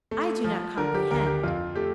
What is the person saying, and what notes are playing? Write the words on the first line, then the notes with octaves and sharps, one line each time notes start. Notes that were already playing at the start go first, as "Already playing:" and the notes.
'I do not complehend!'
A3
F3
D3 A#4
G4
D2 A#4
G4
F2 F4
A3 G4